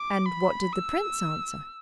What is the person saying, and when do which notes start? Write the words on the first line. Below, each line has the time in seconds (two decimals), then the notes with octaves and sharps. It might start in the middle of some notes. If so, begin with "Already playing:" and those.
'And what did the Prince answer?'
Already playing: D6
0.26 B5
0.72 E6